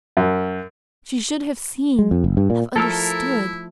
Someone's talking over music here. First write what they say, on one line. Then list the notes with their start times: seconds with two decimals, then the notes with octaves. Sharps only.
She should have seen--have understood.
0.17 F#2
1.99 G#3
2.11 F2
2.24 F#1
2.37 G2
2.50 A#2
2.76 F3 A3 E4 A4 A#4 E6